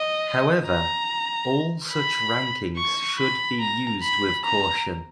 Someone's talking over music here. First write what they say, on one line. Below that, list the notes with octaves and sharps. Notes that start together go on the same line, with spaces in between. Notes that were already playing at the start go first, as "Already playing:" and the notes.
However, all such rankings should be used with caution.
Already playing: D#5
A#5
B5
C#6
B5
A#5
B5
A#5